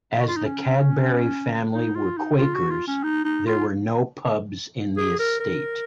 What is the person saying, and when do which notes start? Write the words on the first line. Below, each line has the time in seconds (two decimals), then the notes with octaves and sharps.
As the Cadbury family were Quakers there were no pubs in the estate.
0.20 F#4
0.28 F4
0.36 D#4
0.45 C#4
1.74 D#4
1.96 F4
2.17 D#4
2.39 F4
2.55 F#4
2.71 F4
2.87 C#4
3.03 D#4
3.25 D#4
3.47 F4
4.97 G#4
5.19 A#4
5.40 A#4